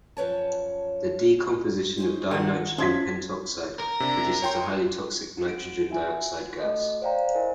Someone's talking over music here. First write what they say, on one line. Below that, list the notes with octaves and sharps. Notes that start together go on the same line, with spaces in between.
The decomposition of dinitrogen pentoxide produces the highly toxic nitrogen dioxide gas.
F#2 F3 B4 C#5 A5
C#4 D#4 C5
D#3 F3 G#3 A#4 F#5
F3 C#4 D4 C6 G#6 B6
A#4
C3 D4
C#5 G5 C6
F#4 D7
F#4 E5 G#5
F#4
A3 F#4 A4 D#5
C5 D5 F5 G5 A#5
E4 A#4 C5 D#5 G#5